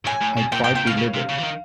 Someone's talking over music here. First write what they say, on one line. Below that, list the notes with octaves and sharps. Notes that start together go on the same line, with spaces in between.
I quite believe it.
A2 G#5
A2
B2
A#2 G5
A2 G5
A#2 G5
B2 F5
C#3
C3
C#3
E3
D#3